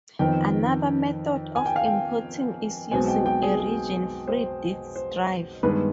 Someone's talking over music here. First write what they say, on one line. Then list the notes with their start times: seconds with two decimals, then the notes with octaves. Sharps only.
Another method of importing is using a region-free disk drive.
0.19 F2 D#3 B3 G5
1.56 G#5
1.66 G5
1.76 F5
1.86 G5
2.91 B1 B2 G#3 C4 G#5
3.08 G5
3.26 G5
3.42 G#4
3.60 G#4
4.27 C5
4.96 C5
5.63 G2 D#3 G#3 B3 B4